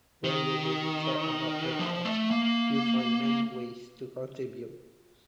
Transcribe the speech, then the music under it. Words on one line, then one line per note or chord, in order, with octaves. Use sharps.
When you really care about a cause, you find many ways to contribute.
D#3
F3
A3
A#3